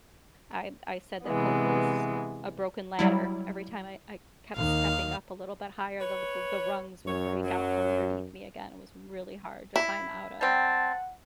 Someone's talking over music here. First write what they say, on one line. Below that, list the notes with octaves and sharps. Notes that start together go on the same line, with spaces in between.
I I said that hope was a broken ladder; every time I I kept stepping up a little bit higher, the l b the rungs would break out from underneath me again; it was really hard to climb out of.
C3 E3 G#3 B3
F#3 G3 E4
D#2 D#3 F5
B4 C#5
F#2 C#5
F#3
E4
G3 C4 F#5 A5